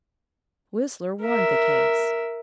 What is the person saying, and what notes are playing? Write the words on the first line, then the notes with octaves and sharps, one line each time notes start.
Whistler won the case.
A#4 E5